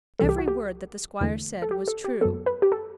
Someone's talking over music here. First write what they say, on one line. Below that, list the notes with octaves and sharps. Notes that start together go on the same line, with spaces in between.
Every word that the squire said was true.
C2 C3 E3 G3 A4
G4
F#4
G4
E2 D3 A3
A4
G4
A4
G4
F#2 F#3 B3 A4
B4
G4
A4